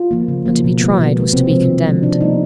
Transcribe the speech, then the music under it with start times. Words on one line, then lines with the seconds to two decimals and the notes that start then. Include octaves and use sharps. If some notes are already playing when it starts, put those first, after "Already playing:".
And to be tried was to be condemned.
Already playing: F4
0.11 F3 A#3
0.28 C#3
0.46 F3 A#3
0.64 B2
0.81 G#3 B3
0.99 B2
1.16 G#3 B3
1.33 C3 C4
1.51 F3 G#3
1.69 C3
1.86 F3 G#3
2.03 D#3 D4
2.21 G3 A#3 D#4